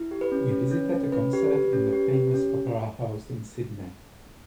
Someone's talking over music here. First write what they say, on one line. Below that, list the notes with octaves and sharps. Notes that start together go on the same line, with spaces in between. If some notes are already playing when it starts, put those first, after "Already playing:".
We visited a concert in the famous opera house in Sydney.
Already playing: E4
G4
B4
C#4
C#4
C#4
C#4
C#4 B4
G4
G4
C#4
G4
G4
C#4